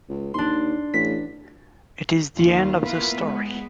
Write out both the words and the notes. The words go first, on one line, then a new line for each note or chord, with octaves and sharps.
It is the end of the story.
C#2
D#2 D4 C6
A1 B6
D#2 D#3 F3 F4
A#3 B3 E4 F4 A#4 B4
G#3 B3